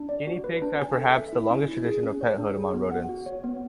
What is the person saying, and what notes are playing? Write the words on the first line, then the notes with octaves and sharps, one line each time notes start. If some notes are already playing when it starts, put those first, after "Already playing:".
Guinea pigs have perhaps the longest tradition of pethood among rodents.
Already playing: D4
D5
F#4
B4
D4
G#5
A4
E5
E4
C#4
E4
G#4
C#4
C#5
D4
G#4
B3
F#5
F#4
C#5
B3